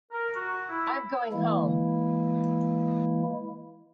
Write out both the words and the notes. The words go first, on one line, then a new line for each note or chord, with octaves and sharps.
I'm going home!
A#4
F#4
E4
E3 G#3 A#3 E4